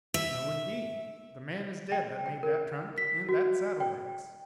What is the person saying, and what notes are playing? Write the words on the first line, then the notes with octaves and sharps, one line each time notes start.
"No indeed; the man is dead that made that trunk and that saddle-bags."
E5
G5
G5
A#4
B6
F#4
G5